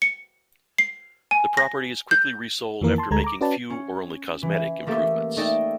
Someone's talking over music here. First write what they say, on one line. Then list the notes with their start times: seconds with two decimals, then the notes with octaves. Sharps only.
The property is quickly resold after making few, or only cosmetic, improvements.
0.02 C#7
0.78 C7
1.31 G#5
1.57 A#6
2.11 G6
2.81 F2 D#3 E3 A#3 A#4
2.98 A5 C6
3.11 D2 G#3 A4 A#5 G#6
3.24 A#5 D6
3.41 C#4 F#4 B4 D5 A5
3.70 C#4 C#7
4.42 E3
4.86 A3 A#3 G4 A4
5.37 A3 D#4 A4 D5 D#5 G5